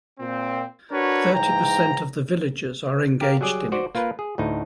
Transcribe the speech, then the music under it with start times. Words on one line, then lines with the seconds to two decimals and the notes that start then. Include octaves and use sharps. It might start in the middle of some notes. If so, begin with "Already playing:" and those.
Thirty percent of the villagers are engaged in it.
0.19 A#2 C4
0.91 D4 F#4 A#4 B4 C#5
1.33 G#2 E3 G5 A#5
3.21 G4 A#4 F5
3.41 F#3 G3 G#4 D5
3.72 F#4 C5 D5
3.95 A#3 F4 A#4 B4
4.19 G#4
4.38 D2 A2 D#4